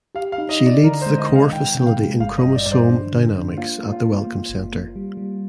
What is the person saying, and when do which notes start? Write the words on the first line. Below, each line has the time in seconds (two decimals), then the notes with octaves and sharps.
She leads the core facility in Chromosome Dynamics at the Wellcome Centre.
0.15 G4 F5
0.32 F5
0.38 D#4
0.49 D#5
0.60 D#4
0.66 D5
0.84 D3 A#4
1.01 C5
1.06 G#3
1.18 D#5
1.30 G#3
1.35 F5
1.52 D#3 G5
1.75 C3 G5
1.86 F5
1.98 G#3
2.20 G1 F5
2.38 D#5
2.44 G2
2.55 D5
2.66 G2 D5
2.72 C5
2.90 D4
3.12 D3
3.35 D4
3.58 A#3 F4
3.81 A#3
3.92 F4
4.04 A#3
4.27 A#3
4.49 G1
4.72 A#3
4.96 G3
5.17 G3